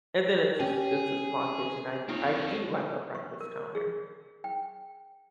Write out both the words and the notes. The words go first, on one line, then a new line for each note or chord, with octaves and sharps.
and then it's a s it's a small kitchen. I li I do like a breakfast counter.
C#4 G4 G#4
C4 D#4 F4 C#5
C#6
A#4
G#4
G5